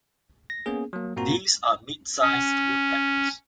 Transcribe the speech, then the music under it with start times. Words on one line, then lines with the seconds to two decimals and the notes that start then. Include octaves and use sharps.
These are mid-sized woodpeckers.
0.50 A#6
0.66 A#3 B3 C#4 G#4
0.93 F#3 A#3
1.16 G2 A#2 A#3 C4 F#4 A#5
2.21 C#4